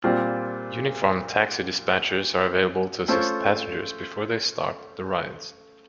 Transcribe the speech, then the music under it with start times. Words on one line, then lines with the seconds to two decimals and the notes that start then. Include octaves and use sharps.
Uniformed taxi dispatchers are available to assist passengers before they start the rides.
0.04 A#2 G3 C4 F4
3.08 A3 C#4 F4 A4 C5